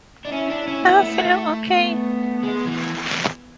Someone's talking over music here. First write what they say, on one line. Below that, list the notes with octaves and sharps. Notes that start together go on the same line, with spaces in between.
I'm feeling okay.
D4
C#4 E4
D4
C#4
B3
A3
B3
G#3
E3